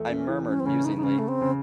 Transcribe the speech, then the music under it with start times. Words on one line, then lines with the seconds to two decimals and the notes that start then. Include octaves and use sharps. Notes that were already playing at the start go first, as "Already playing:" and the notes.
I murmured musingly.
Already playing: E2 A3
0.10 C#4
0.28 E3
0.48 C#4
0.60 C4
0.66 C#3 C#4
0.85 D#4
0.97 D#4
1.03 C#3 C#4
1.19 A3
1.28 C4
1.41 C#3